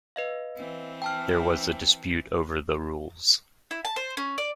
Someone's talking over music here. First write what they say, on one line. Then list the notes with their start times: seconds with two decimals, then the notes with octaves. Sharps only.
There was a dispute over the rules.
0.16 B4 D#5 F5
0.56 E3 C4
1.02 G5 A5 F6
3.71 E4
3.85 A5
3.96 C5
4.17 C#4
4.38 D5